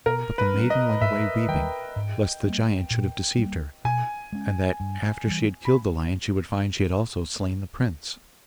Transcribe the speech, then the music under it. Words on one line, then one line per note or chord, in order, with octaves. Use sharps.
But the maiden went away weeping, lest the giant should have deceived her, and that after she had killed the lion she would find she had also slain the prince.
B2 A#4
B4
G3 C#4
D#5
G#2 E5
D#3 G3 G5
G#2
G3 A#3
A#2
G3 A#3
B2 G#5
G#3 C#4
G2
E3 G3
B5